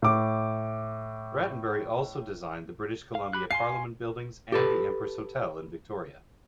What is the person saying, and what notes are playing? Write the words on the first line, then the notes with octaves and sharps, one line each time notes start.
Rattenbury also designed the British Columbia Parliament Buildings and the Empress Hotel in Victoria.
A2 D6
F5
G4 B5 F#6
F5 G#5 C6 C7
G4 A4 B4